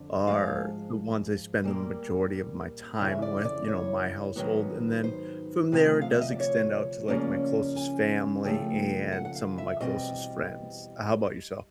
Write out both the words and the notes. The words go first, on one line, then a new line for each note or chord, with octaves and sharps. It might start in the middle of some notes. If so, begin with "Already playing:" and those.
are the ones I spend the majority of my time with, you know, my household. And then from there, it does extend out to, like, my closest family and some of my closest friends. Uh, how 'bout yourself?
Already playing: F2 D3
G#2 F3 G#3 F5
A#2 G3 A#3
F2 C#3 E3 E5
D5
D5
C#5
G#2 D#3 F#3 B3
C5
D2 C3 F3
F5
E5
D#5
D5
C#5
C#3 F3 A#3 C#4 D5
G#5
C#3 F3 A3 G5
F#5
F#5
F5
E5
E2 B2 G3 C4 D#5